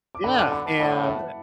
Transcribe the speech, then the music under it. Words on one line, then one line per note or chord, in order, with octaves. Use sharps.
Yeah, and
D6
D3 F#5 B5
A5 D6
F#5 B5
A5 D6
A2 F#5 B5
E5 A5